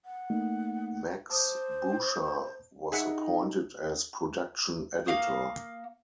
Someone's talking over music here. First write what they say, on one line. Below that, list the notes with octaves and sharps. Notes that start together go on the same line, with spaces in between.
Max Boucher was appointed as Production Editor.
F#5
A3 A#3 D#4
C5 A5 D6 D#6
D#4 G#4 E5 F#5
A#3 F5 C#6 D#6